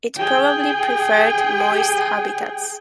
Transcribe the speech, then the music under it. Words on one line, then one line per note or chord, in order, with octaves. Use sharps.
It probably preferred moist habitats.
G#4 G5